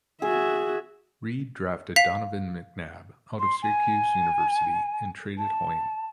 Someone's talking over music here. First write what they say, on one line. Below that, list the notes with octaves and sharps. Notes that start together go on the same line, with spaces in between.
Reid drafted Donovan McNabb out of Syracuse University, and traded Hoying.
F#4 G#4 E5
F5 B6 F7
C6
G#5
A5